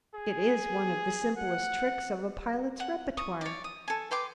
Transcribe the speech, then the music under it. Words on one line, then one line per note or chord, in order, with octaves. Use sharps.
It is one of the simplest tricks of a pilot's repertoire.
G#4
F#5
F#5
C#6 D#6
C#5 D5
D#6
A4 G#5
B4 G5 C6 D6